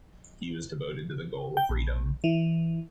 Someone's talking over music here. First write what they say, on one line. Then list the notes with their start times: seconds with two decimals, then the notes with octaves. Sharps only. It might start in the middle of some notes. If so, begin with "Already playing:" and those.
He was devoted to the goal of freedom.
1.57 G5
1.69 A#1
2.24 E3